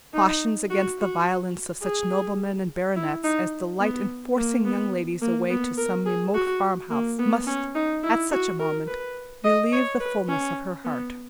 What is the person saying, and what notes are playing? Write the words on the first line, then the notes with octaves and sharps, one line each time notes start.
Cautions against the violence of such noblemen and baronets as delight in forcing young ladies away to some remote farm-house, must, at such a moment, relieve the fulness of her heart.
D#4
F#4
F#4
G#4
E4
D#4
B3
A#3
B3
A#3
B3
A#4
G#4
F#4
A#3
B3
C#4
D#4
E4
F#4
A#4
B4
D#5
C#5
B4
C#4
B3